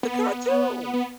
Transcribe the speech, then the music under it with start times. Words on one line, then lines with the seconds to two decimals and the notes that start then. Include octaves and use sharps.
The cartoon.
0.03 B3
0.93 B3